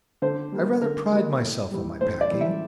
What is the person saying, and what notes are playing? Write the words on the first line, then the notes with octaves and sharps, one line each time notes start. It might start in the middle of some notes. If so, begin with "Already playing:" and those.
I rather pride myself on my packing.
D3 C5
G3 A#3
D3 A#4
G3 A#3
A2
E3 G3
A2 C5
D5
E3 G3
E5